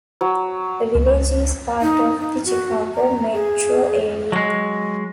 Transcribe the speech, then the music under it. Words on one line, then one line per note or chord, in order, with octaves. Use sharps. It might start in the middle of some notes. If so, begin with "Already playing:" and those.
The village is part of the Chicago metro area.
F#3
C#2
D#4
D#4
F#4
A#5
G#4
F#3 G#3